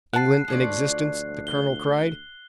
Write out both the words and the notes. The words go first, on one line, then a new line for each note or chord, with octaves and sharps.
"England in existence?" the colonel cried.
F#5 A5 F#6 C7
D2 F3 C#5 D5
G7